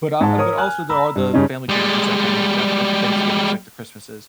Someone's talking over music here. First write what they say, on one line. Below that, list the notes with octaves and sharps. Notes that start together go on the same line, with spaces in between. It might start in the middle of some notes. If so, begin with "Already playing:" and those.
But, uh but, also, there are the family traditions that kinda hit that like the Thanksgivings, like the Christmases
G#2 G#3 A5
A#4 C#5 D#6
G#5 F6 F#6
A#5 B5 E6
G2
G2 C#3 C#4 D#4
G3 G#3